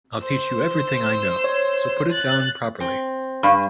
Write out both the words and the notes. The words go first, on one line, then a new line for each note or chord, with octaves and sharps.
I'll teach you everything I know, so put it down properly.
C5 E6
C#5
F#6 A6
C4
G2